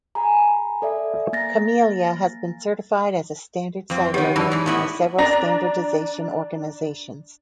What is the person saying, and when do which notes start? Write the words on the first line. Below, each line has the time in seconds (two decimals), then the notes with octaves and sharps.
Camellia has been certified as a standard cipher by several standardization organizations.
0.15 G#4 G#5 A#5 B5
0.82 A4 D5 E5
1.33 A#3 F5 A#5 A6 A#6
3.90 F2 C4
4.14 D#3 B3 G4 G#4 C#5
4.36 F#2 E3 D5 A5 B5
4.51 G#2 E3
4.66 A2 B3 E4
5.18 D4 A#5 A#6